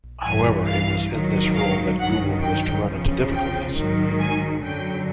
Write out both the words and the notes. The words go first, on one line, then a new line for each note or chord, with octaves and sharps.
However, it was in this role that Gould was to run into difficulties.
G2 E3 G#5
F5
G#2 D#3 F#3
F5
G2 D#3 F#3 F#5
G5
E2 C#3 F3
G5
G#2 D#3 F#3
G#5
F#2 D3 F#3 G5